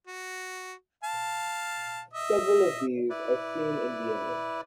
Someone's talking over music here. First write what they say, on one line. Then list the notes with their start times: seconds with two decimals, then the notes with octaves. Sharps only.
Several of these are seen in the image.
0.07 F#4
1.04 F5 A5
2.13 D#5 E5
3.10 E4 B4 D5